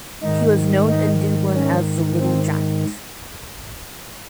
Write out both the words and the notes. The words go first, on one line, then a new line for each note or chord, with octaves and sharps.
He was known in Dublin as the "little giant".
G#2 D#3 D#4
D#4
C#4
C4